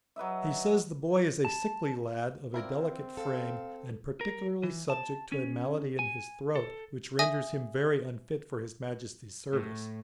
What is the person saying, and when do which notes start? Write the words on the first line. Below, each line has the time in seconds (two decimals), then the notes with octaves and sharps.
He says the boy is a sickly lad, of a delicate frame, and particularly subject to a malady in his throat, which renders him very unfit for his Majesty's service.
0.16 F#3 B4 D#5 E5
1.45 A5
2.54 C4 E4 F4 A#4 D5
3.17 A4 F5
4.21 A#4
4.63 E3
4.90 A5
5.32 C#4
5.99 G#5
6.56 A4
7.19 E5 G#5 D#6 A#6
9.53 A2